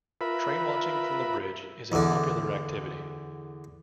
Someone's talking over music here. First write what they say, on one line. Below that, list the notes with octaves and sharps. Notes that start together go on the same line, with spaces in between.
Trainwatching from the bridge is a popular activity.
F4 A#4 B4 E5 B5
E2 D3